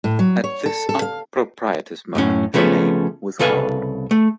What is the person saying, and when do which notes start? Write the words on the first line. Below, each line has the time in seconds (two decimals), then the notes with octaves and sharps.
At this unpropitious moment her name was called.
0.04 A2
0.19 F#3
0.44 C#5
0.66 A4
0.89 A4
1.02 F5
2.15 F#2 A2 C#4
2.54 C#3 F3 A3 B3 C#4
3.39 C2 C#3 A4 B4 F5 G#5
4.11 A3